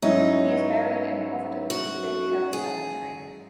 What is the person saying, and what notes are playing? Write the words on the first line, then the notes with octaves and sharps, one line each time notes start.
He is buried in Providence's Big Hill Cemetery.
G#2 F#3 C#4 D#4 E4
F#4
G#4